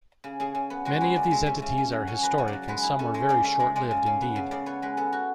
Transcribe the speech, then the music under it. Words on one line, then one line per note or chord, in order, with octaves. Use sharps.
Many of these entities are historic and some were very short-lived indeed.
C#3
C#3 G#4
C#3
B3
G#3 F#4
G#3 E4
C#3 D5
G#3 E5
C#4 E5
C#3
C#4
F#3
C#4 C#5
F#3 B4
C#3 C#5
D5
F#3
G#3 B4
E4
C#4 A4
G#3 C#5
C#3 D5
C#4 E5
G#3 D5
G#3 D5
C#3
C#3
B3
C#3
C#3 D5
B3 C#5
G#3 B4
B3 A4
F#4